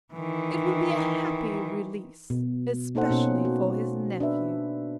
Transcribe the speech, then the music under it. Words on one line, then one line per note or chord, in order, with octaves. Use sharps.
It will be a happy release--especially for his nephews.'
D#3 E3
B2
A#3 D#4 A4 C5 F#5
B2 C#4
F#4
D4 B4 E5